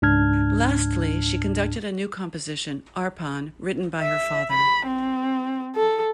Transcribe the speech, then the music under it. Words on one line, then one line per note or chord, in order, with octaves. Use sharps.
Lastly, she conducted a new composition, "Arpan", written by her father.
C#2 G#2 D4 A5 F6 G#6
E5
B5
C4
A4